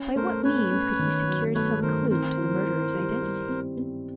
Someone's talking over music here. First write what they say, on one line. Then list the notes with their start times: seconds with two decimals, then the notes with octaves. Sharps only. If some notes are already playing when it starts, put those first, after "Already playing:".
By what means could he secure some clue to the murderer's identity?
Already playing: C#4
0.16 A3 A#4 C5
0.43 C#4 B4 C#5
0.71 C#4
0.99 D#3
1.28 F#3
1.54 A3 B4 C#5
1.82 D#3 A#4 C5
2.10 C4 A#4 C5
2.38 E4
2.66 E4
2.94 G3
3.22 G3
3.48 C4
3.77 C4